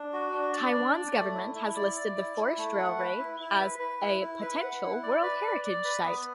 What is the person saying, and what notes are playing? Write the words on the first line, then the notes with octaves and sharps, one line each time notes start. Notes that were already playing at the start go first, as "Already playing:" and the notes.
Taiwan's government has listed the forest railway as a potential World Heritage Site.
Already playing: D4
F#4
D4
D5
D4
D5
A3
E4
E4
D5
D5
E4
E4
A3
F#5
B4
E4
E4
B4
B4
E4
E4
B4
F#5
E4
D5
B4
D5
D5
B4
B3